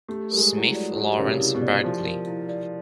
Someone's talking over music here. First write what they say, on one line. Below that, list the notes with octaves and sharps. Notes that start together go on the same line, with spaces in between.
Smith, Lawrence Berkley.
A3 G4
G3 A#4
G#3
F#3 E4
G3
D5
G3
F#3 G4
C#3 A#4
C3
E4
B2
D5
F3 G4
A#4
E4
D5